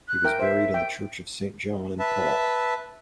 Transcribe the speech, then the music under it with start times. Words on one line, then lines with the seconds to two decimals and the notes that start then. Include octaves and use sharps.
He was buried in the Church of Saint John and Paul.
0.07 F#6
0.24 A#4 E5 G5
0.39 C5 E5
0.74 G5
1.99 B4 E5 A5